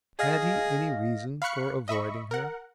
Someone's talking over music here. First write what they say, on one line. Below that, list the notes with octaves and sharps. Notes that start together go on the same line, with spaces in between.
Had he any reason for avoiding her?
G#4 D#5 F5 A#6
F5 B5 C#6 F#6 C#7
D#5 E5 B5 C#6
A#4 F#5